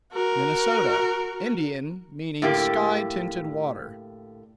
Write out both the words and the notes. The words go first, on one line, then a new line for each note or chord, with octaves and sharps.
Minnesota--Indian; meaning "sky-tinted water."
F#4 A#4
A2 D3 A#3 G4